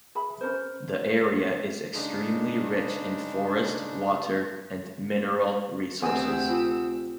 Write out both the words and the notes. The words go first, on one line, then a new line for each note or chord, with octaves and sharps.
The area is extremely rich in forest, water and mineral resources.
G#4 E5 B5
C#4 D#4 A#4 C5
C#3 G#3 D4 D#4
C#6
D2 C3 F#5 G#5 D#6 E6
F4 G#4 A4